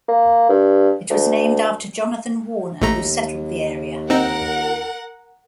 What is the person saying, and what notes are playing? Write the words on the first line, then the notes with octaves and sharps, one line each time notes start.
It was named after Jonathan Warner, who settled the area.
A#3
G2
D2
A1 D#2 A3 A#5
C4 D#4 A#4 F#5